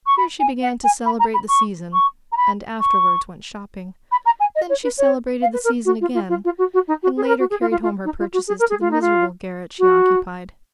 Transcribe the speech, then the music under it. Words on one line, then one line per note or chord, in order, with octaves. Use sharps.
Here she began to celebrate the season, and afterwards went shopping; then she celebrated the season again, and later carried home her purchases to the miserable garret she occupied.
C#6
B5
G#5
F#5
G#5
B5
A#5
B5
C#6
C#6
A#5
B5
C#6
B5
A#5
G#5
D#5
C#5
B4
C#5
F5
B4
A#4
F#4
F4
F4
F4
F4
F#4
F#4
D#4
F#4
G#4
B4
A#4
F#4
G#4
F4
F4
F4
D#4
F4
F#4
G#4
A#4
G#4
F4
D#4
F4
F#4